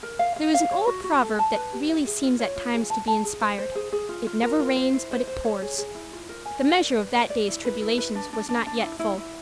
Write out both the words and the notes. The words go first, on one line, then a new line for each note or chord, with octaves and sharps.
There is an old proverb that really seems at times to be inspired . . . "it never rains but it pours." The measure of that day's tribulations was not yet full.
A#4
F5
F5
F5
C#5
F#4
F#4
A4
A5
B4
G4
E5
G#4
F4
C#5
F4
G#4
A5
A5
G#4
C5
C5
G#4
G#4
F4
F4
A#4
F4
C5
E4
C5
C5
C#5
G#4
G#4
E4
F4
A#4
G#5
A#4
D5
B4
D5
D5
E4
B4
E4
B4
D4
D4
D4
D4
E4
E4
E4